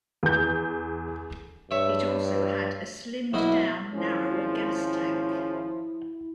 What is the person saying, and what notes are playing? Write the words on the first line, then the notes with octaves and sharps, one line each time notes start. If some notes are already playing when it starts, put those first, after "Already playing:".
It also had a slimmed down narrower gas tank.
E2 G6
G2 C#5 E5
B1 E4 F#4 D#5
G#1 F3 C#4 E4